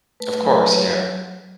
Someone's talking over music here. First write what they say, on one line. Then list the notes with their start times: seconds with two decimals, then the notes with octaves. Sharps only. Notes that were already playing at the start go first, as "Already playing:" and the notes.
Of course, yeah.
0.20 A3 B4
0.37 B4
0.42 F#3
0.53 B4
0.64 F#3
0.69 C#5